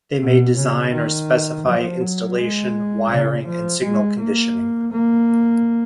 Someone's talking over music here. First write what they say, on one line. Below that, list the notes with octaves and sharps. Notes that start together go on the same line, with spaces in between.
They may design or specify installation, wiring and signal conditioning.
B2
C#3
D#3
F3
F#3
G#3
C#3
F3
G#3
A#3
A#3